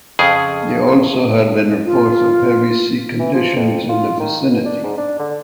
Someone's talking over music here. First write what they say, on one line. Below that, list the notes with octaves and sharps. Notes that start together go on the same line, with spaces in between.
There also had been reports of heavy sea conditions in the vicinity.
F2 C#3 G#4
F4
E3
F3
F2
F4
D#3
B2
D4
G#2
D4
D3